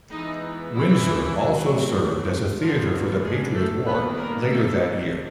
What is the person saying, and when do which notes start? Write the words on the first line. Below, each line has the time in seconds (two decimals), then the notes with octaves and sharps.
Windsor also served as a theatre for the Patriot War, later that year.
0.11 E3 G#3 B3 D#4
0.74 E3 E4
1.36 F#3 A3 C4
2.61 F3 F#3 B3 D4 F4
3.23 G#3 G#4
3.54 A3 A4
3.85 D#3 G3 A#3 B3 D4 B4
4.17 A#3 A#4
4.48 A3 A4